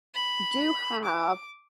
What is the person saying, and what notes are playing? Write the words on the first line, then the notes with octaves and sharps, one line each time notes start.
do have
B5
D6